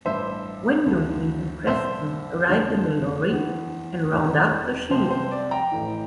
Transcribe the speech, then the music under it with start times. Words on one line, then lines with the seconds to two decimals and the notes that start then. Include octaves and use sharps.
Wendolene and Preston arrive in the lorry and round up the sheep.
0.05 A1 G2 F3 C5 E5
0.86 D2 D3 F3
1.67 C2 A#2 F3 C5 E5
2.48 G1 F2 D3 F3
3.29 E2 E3
4.10 E1 E2 E3
4.90 C2 C3 F3 C5
5.11 C5
5.31 D5
5.51 G5 A#5
5.72 A1 A2 E3